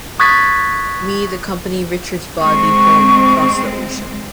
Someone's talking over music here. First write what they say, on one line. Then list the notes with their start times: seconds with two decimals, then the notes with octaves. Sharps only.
Mead accompanied Richards's body home across the ocean.
0.20 C#6 D#6 F#6 G#6 A6 B6
2.41 G#3 C4 C#6